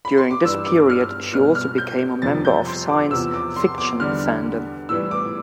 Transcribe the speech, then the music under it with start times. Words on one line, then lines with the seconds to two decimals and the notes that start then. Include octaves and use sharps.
During this period she also became a member of science fiction fandom.
0.05 B5
0.18 C6
0.31 D6
0.45 G2 E3 G3 E6
0.66 D6
0.90 F6
1.33 B2 G3 F6
1.55 F6
1.78 G6
2.22 F2 C3 G3 A6
2.45 G6
2.67 C6
2.89 D6
3.11 E2 C3 F3 E6
3.34 D6
3.56 C6
3.78 D6
4.00 E2 D3 G3 F6
4.89 A2 E3 G3 E6
5.11 D6